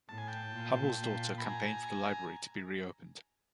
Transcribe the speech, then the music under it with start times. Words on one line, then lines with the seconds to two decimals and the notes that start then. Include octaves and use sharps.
Hubbell's daughter campaigned for the library to be reopened.
0.09 A2 A5
0.18 G#5
0.28 G5 A5
0.54 A#2
0.99 A#2
1.38 B5
1.44 G#5 A#5